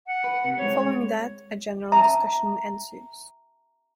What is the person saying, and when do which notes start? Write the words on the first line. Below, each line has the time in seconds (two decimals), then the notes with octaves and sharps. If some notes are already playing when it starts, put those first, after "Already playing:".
Following that a general discussion ensues.
0.07 F#5
0.24 B4
0.44 C3
0.58 G#3 C4 C#5
1.92 E5 A5 A#5